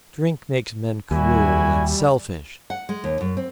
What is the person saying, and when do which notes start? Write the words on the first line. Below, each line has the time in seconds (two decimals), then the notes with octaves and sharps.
Drink makes men cruel and selfish.
1.11 D#2 G3 E4 F#4 G#5
2.70 F#5
2.89 G#3
3.04 D#2
3.21 F#2
3.37 C4